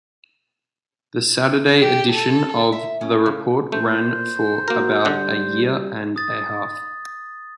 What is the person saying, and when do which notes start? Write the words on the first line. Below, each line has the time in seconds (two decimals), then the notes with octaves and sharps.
The Saturday edition of the "Report" ran for about a year and a half.
1.81 G4
2.12 A4
2.72 E5
3.01 C#4
3.26 C#3
3.72 A#2 A3 C5
4.68 A#3 F#4 A#4
5.05 D3 G3 F#5
6.16 D#6 A6